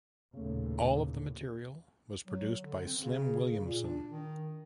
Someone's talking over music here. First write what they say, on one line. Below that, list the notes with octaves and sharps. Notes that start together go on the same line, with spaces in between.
All of the material was produced by Slim Williamson.
A1 D#2 A#2 C#3 A3
F#3
D3
C4
C#3
C#3
A#2
D4
D#3